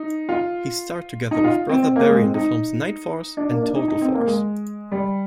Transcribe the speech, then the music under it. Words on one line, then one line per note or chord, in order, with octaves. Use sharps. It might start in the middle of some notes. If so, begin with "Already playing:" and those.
He starred together with brother Barry in the films "Nightforce" and "Total Force".
Already playing: D#4
F4
D#4
F4
C4
C4
A#3
G#3
C4
D#4
D4
A#3
D4
D#4
D#4
C4
A#3
G#3
G3